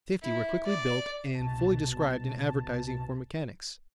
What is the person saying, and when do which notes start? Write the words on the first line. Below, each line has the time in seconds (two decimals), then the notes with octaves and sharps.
Fifty were quickly built and fully described in advertising for mechanics.
0.22 E4
0.66 D5
1.35 C2 B2 A5